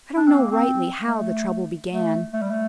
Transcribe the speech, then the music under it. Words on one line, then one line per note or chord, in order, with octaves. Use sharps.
I don't know rightly how the trouble began.
D4
C4
A#3
C4
A3
A3
A3
G3
A3